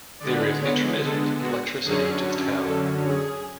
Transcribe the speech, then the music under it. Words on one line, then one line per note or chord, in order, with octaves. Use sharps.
There is intermittent electricity to the town.
D3 G#3 B3 D5
C#5
A4
F#4
F#2 D3 F#3 C#4 G#4
A4
G#4